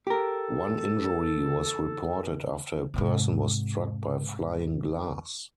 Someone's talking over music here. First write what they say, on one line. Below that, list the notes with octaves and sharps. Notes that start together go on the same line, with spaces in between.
One injury was reported after a person was struck by flying glass.
G4 A4 A#4
G#2 C3